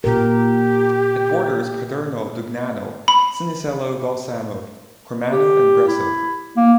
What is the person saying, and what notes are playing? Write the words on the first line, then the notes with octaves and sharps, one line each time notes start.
It borders Paderno Dugnano, Cinisello Balsamo, Cormano and Bresso.
A#2 G4 A#4
B5
G4
E4
A#3